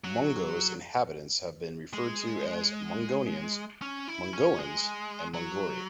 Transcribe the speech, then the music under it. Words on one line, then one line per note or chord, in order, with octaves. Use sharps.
Mongo's inhabitants have been referred to as "Mongonians", "Mongoans", and "Mongori".
F#3
G#3
C#4
E4
C#4
G#3
F#3